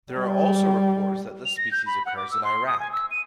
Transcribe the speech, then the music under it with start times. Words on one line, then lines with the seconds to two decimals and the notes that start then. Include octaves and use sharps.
There are also reports that this species occurs in Iraq.
0.12 G3
1.45 F7
1.57 A#6
1.72 G6
1.86 B5
2.06 F#5
2.17 D6
2.31 E6
2.44 C6
2.67 D#6
2.79 G#5
2.92 E6
3.11 D#7